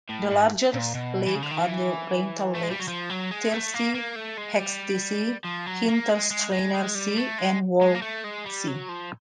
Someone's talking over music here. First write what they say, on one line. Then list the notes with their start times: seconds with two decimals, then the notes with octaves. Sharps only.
The largest lakes are the Reintal lakes, Thiersee, Hechtsee, Hintersteiner See and Walchsee.
0.09 A2
0.31 G#2
0.74 A#2
0.95 B2
1.27 E3
1.35 C#3
1.42 D3
1.51 D#3
1.59 E3
2.55 A3
2.63 G#3
2.70 G3
2.80 F#3
2.88 F3
3.10 F#3
3.31 G#3
3.52 A3
3.74 A#3
3.95 A#3
4.16 A3
4.38 G#3
4.59 G3
5.45 F3
5.67 F#3
5.89 A#3
6.09 G#3
6.30 G#3
6.52 G#3
6.74 G#3
6.95 G3
7.17 A3
7.38 G#3
7.81 G#3
7.95 A#3
8.02 A3
8.24 G#3
8.46 G3
8.68 F#3
8.89 F3